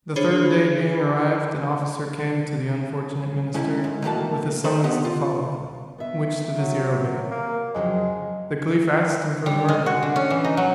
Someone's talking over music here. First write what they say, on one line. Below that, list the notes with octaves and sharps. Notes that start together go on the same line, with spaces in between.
The third day being arrived, an officer came to the unfortunate minister, with a summons to follow him, which the vizier obeyed. The caliph asked him for the murderer.
D4 G#4 C5 C#5 B5
G#2 D#3 C#4 E4
G#2
D#3 E3 A3 A#3 F#4 A5
D#4 A4 C5 D5 E5
B3 G4 D#5 F#5
F4
B3 E5
F#3
A#3
F2 C#3 F#3 G#3
G3
G#3
F#4
D3
C#4
E3
D#4
F#3